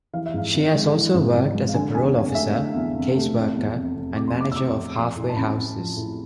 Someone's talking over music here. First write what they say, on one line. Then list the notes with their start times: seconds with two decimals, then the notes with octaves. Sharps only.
She has also worked as a parole officer, caseworker, and manager of halfway houses.
0.13 E3 F5
0.26 E5
0.34 G#2 F5
0.54 G#1
0.74 G#3
0.94 E3
1.15 G#2
1.34 G#1
1.54 G#3
1.69 F5
1.74 D3 G#5
1.95 E2 G#5
2.15 F1 F5
2.35 A3 E5
2.55 D3 F5
2.75 E2
2.95 F1
3.15 A3
3.36 C3
3.56 E2
3.76 F1
3.96 F1
4.16 C3 D6
4.28 C6
4.36 E2 D6
4.52 E6
4.56 F1 D6
4.76 F1
4.96 F3 C6
5.16 A2
5.22 G#5
5.30 A5
5.36 A1 B5
5.57 A1
5.77 F3
5.97 A2